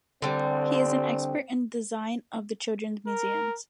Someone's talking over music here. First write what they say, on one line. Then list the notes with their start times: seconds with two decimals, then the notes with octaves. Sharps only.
He is an expert in the design of children’s museums.
0.22 D3 G3 C4
3.08 A#4